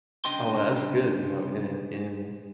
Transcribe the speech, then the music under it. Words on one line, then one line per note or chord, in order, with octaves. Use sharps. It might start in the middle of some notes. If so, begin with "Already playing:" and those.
Oh well, that's good, you know, and and,
C2 C#3 D4 D#5 G5 C6